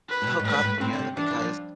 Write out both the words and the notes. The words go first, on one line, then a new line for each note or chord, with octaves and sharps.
hook up together because
B4
A2
B2
G#2
A2 B4
G#2
A2
A2 C4
D3
C3
E3 D4
E3
F3